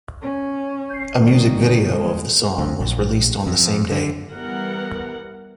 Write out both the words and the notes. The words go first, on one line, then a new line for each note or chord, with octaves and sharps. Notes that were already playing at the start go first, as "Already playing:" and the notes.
A music video of the song was released on the same day.
C#4
G1 D#3
G#3
D2
A#1
F2
D3
E3 G3 B3 A#4 F#5